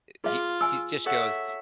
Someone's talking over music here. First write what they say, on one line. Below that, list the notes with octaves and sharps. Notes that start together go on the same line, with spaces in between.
uh, he sees just goes
F4 G#4 F5
G#5 E6
A4 C#5 E5 F#5